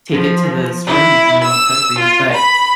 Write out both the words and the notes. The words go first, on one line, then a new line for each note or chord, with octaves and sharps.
take it to the store and and it'll cut it for you, but,
F3
E4
E6
F4
B5